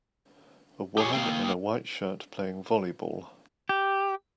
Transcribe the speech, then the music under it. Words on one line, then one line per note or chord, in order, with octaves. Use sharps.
A woman in a white shirt playing volleyball.
G4 G#4 C#5
A#3 F5 G5
G4